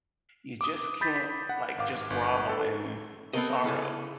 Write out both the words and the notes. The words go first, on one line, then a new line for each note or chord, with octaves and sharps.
You just can't, like, just grovel in sorrow,
D6 D#6
B5 G6 A6 B6
F#5
G#1 F5 D6
G1
A4
B3 C4 A4 A#4 D#5
C#3 E4 A4 G#5